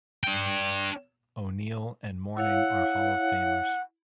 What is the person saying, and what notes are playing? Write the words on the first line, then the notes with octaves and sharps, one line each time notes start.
O'Neal and Mourning are Hall of Famers.
D4 G5
E4 C#5 F5 F#5